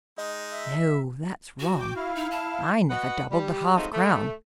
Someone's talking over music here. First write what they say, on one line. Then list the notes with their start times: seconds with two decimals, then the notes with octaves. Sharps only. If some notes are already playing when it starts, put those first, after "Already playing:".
No, that's wrong--I never doubled the half-crown.
0.18 G#3 D#4 D#5
0.53 E5
1.60 F#4
1.79 G5 D6 G6
1.96 E4 F5
2.15 D#4
2.31 A5
2.90 F#4 B4 D#5 F#5
3.30 G3
3.76 F3 F#3 G#3 A3 C4 D#4
3.92 A3